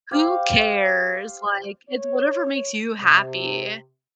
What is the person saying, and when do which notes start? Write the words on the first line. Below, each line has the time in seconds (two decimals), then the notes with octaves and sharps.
Who cares, like, it's whatever makes you happy.
0.11 G4 C5 F5
1.89 C#5
3.00 C3